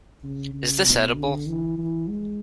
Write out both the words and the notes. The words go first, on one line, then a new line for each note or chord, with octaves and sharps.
Is this edible?
C#3
C#3
B2
D3
E3
E3
G#3